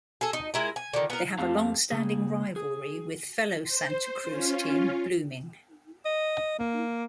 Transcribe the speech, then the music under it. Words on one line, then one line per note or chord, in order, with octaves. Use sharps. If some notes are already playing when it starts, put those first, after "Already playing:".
They have a longstanding rivalry with fellow Santa Cruz team Blooming.
G#4 A4
D#4
G#3 E4 A#4
G#5
D3 D#3
B3 A#4
F2 A3 C4 G4 F5 A5
C#3 A#3 G#4
G#4
C5
C#4 F4
D#5
A#3